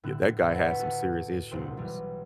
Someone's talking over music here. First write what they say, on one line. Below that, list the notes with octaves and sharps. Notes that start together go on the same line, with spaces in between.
Yeah, that guy had some serious issues.
A2 D3 E4 F#6 E7
B4 C5 E5 F#5 G5 A5
F#4 A4 D#5
F#1 C2 A#2 C5 D7
B1 E3 G3